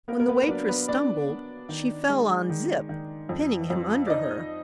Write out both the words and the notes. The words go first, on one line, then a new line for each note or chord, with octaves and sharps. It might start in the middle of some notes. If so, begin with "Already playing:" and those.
When the waitress stumbled, she fell on Zip, pinning him under her.
A#3 B3 A#4
A#4
B3 B4
B4
F#3 D4 D5
B3 B4
B3 D4 D5
B3
D#3
G#3
D#3
D#3
F2
F2
D5
D#4 D#5